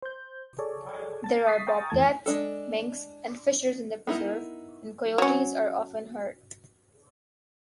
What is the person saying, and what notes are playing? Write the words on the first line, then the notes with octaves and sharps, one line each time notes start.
There are bobcats, minks and fishers in the preserve, and coyotes are often heard.
C5 G6
G#4 A4 C#5 D5
A5 A6
C#6 D#6 A6 B6 C7
F5 G5 A#5 C#6 D#6 A6
F2 E3 A3 A5 G#6
G#3 D4 A4
B3 D#4 E4 A#4
F#3 C#4